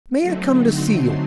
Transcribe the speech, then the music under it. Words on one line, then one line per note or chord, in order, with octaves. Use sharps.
May I come to see you?
D3 F#3 A3 C4 D#4
C6